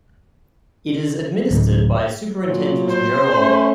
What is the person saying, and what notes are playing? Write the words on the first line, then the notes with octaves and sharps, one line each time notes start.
It is administered by Superintendent Joe Oliver.
D1
A#2 F#3
C5
A3 C#4